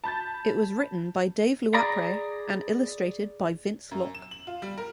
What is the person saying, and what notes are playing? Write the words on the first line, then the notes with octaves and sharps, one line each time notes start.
It was written by Dave Louapre and illustrated by Vince Locke.
A5 B5 G6 A6
G#4 D5 A#5 B5
F#2
E7
F#7
F4
G3
A#4